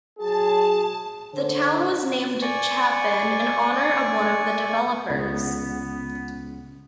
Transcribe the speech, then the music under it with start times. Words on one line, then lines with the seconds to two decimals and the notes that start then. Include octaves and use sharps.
The town was named Chapin in honor of one of the developers.
0.18 F#3 F#4 G#4 A5
1.33 D3 C5
2.42 D5 G#5 C#6
5.10 C#2 B3